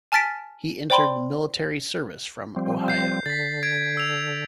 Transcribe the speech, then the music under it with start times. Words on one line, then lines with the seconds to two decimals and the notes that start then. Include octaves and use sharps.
He entered military service from Ohio.
0.12 G#5 A5 F6 A6 B6 D7
0.90 C5 D5 G5 B5 C6
2.56 F3 G3 C4
2.88 G6 C7
3.26 D3 A6 B6
3.63 G#6 D7
3.97 E6 F7